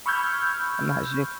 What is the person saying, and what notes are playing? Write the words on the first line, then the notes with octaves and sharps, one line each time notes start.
I'm not sure
B5 C#6 E6 F6 G6 G#6